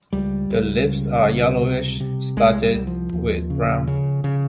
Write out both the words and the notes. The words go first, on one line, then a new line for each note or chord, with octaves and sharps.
The lips are yellowish, spotted with brown.
C#2 G3
C#2
C#3
C#2
C3
C3
C2 G#3
G3
C2
F3
D#2
C#3
C#3
C#3